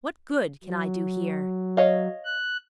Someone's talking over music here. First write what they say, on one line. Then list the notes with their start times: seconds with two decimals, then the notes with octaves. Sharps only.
What good can I do here?
0.64 F#3
1.77 C#5 D#5 F5
2.25 F#6